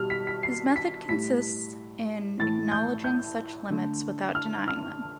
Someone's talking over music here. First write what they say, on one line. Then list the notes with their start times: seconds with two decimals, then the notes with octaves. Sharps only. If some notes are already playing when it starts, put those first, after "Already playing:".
His method consists in acknowledging such limits without denying them.
Already playing: B2 G3 F6
0.10 B6
0.27 B6
0.43 C7
0.76 B6
1.08 A2 G3 B6
2.39 A2 E3 A3 A6
2.72 G6
3.04 G6
3.70 D3 A3
4.35 F6
4.68 F6